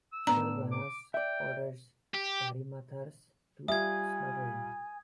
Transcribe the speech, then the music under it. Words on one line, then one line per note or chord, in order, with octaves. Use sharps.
Sylvanas orders Varimathras to slaughter him.
E6
A2 B3 D4 A#5
D6
D5 E5 G5
G4
G3 F4 E5 G#5 D#6 G#6